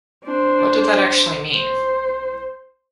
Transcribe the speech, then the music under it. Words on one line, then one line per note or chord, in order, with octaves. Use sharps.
What did that actually mean?
D4 C5
C5